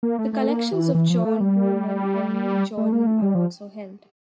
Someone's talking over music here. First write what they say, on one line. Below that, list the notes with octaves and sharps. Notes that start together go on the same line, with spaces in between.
The collections of John Boorman and Neil Jordan are also held.
A#3
A3
A3
A#3
E3
E3
F3
A3
G3
A3
A#3
A3
G3
F3